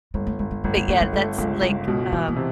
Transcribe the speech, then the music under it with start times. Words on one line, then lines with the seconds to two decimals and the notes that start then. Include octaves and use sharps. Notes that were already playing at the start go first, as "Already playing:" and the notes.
But yeah, that's like, um
0.14 G1 G#3
0.27 A3
0.39 G1 G#3
0.51 G#3
0.64 G1 A3
0.76 A3
0.88 G1 A#3
1.01 A3
1.13 G#3 A3
1.38 C#2 F#3
1.62 C#2 G3
1.87 B2 G#3
2.12 E3 A3
2.28 A#3
2.36 C3